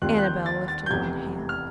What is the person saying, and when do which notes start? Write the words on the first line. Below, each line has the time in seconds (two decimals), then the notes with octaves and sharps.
Annabel lifted one hand.
0.02 D#2 D#3 G3 C4 F4 F#6
0.18 F#6
0.24 G6
0.46 A6
0.68 A6
0.86 G6
0.90 F1 E2 C3 G#6
1.49 F6